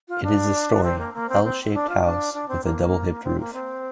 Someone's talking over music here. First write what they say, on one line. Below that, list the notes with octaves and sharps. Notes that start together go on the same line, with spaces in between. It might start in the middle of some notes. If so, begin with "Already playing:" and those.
It is a -story, L-shaped house with a double hipped roof.
F4
D4
C4
A#3
A#3
C4
C4
D4
F4
D4
D4
C4
A#3
C4
A#3
C4